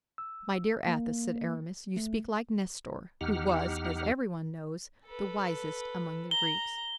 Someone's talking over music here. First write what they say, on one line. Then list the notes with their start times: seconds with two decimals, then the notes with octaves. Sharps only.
"My dear Athos," said Aramis, "you speak like Nestor, who was, as everyone knows, the wisest among the Greeks."
0.18 E6
0.87 A#3
1.97 A3
3.21 E2 D#4 G4 F#5 F6
5.05 A4 B4
6.31 A#5 G7